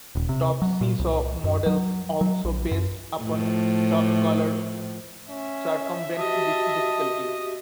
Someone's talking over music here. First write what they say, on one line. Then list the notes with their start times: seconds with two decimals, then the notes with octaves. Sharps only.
"Top Seesaw" models, also based upon Topcolor, circumvent this difficulty.
0.15 D#1
0.29 C3
0.62 F#3
0.81 A#2
0.99 C2
1.44 F#2
1.66 F#3
2.21 F#3
2.44 A#1
2.71 F#2
3.21 A2 F3
5.29 C#4 E5
6.18 F#4 G4 D#5 A5